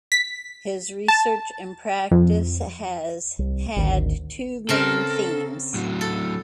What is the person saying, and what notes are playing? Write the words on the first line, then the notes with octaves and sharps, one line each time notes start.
His research and practice has had two main themes.
B6
A5
F2
C2
G#1 D2 D#3
C#3 C4 A4 A#4
A2 F#3
A4